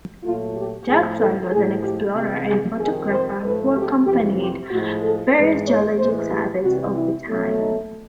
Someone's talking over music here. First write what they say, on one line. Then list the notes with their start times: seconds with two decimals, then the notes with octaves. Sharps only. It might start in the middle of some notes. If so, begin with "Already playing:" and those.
Jackson was an explorer and photographer who accompanied various geologic surveys of the time.
0.24 A#2 F#3 A3 F4
0.55 G4
0.87 A2 F3 A3 G#4
1.19 A4
1.51 A2 F3 G#3 G#4
1.83 G4
2.15 C3 E3 G#3 G4
2.48 G#4
2.79 F2 C3 D#3 G#4
3.11 C5
3.43 G#2 F3 A3 B4
3.75 G4
4.07 F2 C3 E3 G4
4.39 G4
4.71 A2 F3 G#3 F#4
5.03 A4
5.35 G#2 E3 G#3 B4
5.67 C#5
5.99 A2 E3 G#3 C5
6.32 G4
6.63 C3 E3 G3 F#4
6.95 E4
7.27 B2 F#3 A3
7.59 D#4